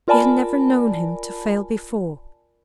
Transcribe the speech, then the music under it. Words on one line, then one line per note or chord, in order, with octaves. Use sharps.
She had never known him to fail before.
F4 A#4 D5 G#5 A5 B5